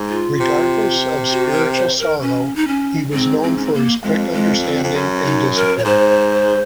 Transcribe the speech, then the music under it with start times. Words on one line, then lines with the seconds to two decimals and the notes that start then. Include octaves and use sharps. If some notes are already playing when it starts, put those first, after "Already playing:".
Regardless of spiritual sorrow, he was known for his quick understanding and discipline.
Already playing: G#2
0.10 F4
0.40 C3
1.31 F#4
1.53 A#4
1.76 C5
1.99 A#4
2.22 C#4
2.56 D#4
2.68 C#4
3.12 G#2 C4
3.43 C4
3.57 C#4
3.65 C4
3.74 A#3
4.03 F2 G#3
4.34 G#3
4.63 C4
4.84 F2
4.94 F#2 C#4
5.25 D#4
5.56 A#4
5.78 C#5
5.85 G#2 C5